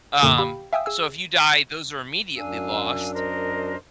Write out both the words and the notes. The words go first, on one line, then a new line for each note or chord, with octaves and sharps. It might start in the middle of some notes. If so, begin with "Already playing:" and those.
Um, so, if you die, those are immediately lost.
F#2 A#2 D3 A#3 C#6
G4 F5 G5 B5
E5 F5 G5 G#5 D#6 E6
G#4 G#5 E6
F#2 D4 F5 G#5 E6
A#4 C5 D#5